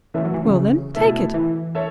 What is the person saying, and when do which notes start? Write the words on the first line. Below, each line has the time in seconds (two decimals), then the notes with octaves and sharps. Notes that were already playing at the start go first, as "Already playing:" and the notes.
"Well, then, take it."
0.14 E3 A3 C#4 A4 E5
0.25 F#3
0.34 E3
0.45 C#3
0.55 C#3
0.94 B2 A3 E4 A4 E5
1.34 E3
1.75 A4 C#5 E5